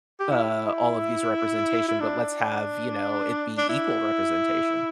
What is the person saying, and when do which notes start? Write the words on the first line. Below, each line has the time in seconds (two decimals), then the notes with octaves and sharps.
uh, all of these representation, but let's have, you know, it be equal representation.
0.20 G4
0.31 E4
1.88 E4
2.00 D4
3.58 D4
3.69 E4